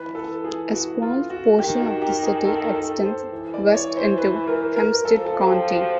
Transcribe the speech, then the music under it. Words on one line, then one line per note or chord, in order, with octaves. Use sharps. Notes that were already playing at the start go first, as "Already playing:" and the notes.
A small portion of the city extends west into Hempstead County.
Already playing: E3 B4
A4
G#4
F#4
F4
F#4
D#3 G4
F#4
G4
G#4
A4
A4
C5
E3
D5
C#5
C5
B4
A#4
A#4
F3 A4
A4
G4
F#4